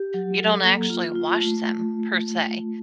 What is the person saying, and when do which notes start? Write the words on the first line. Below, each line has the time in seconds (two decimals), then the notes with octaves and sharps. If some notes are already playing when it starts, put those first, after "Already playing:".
you don't actually wash them per se,
Already playing: G4
0.14 F#3
0.39 A4
0.64 A#3
0.90 F4
1.15 F4
1.40 A3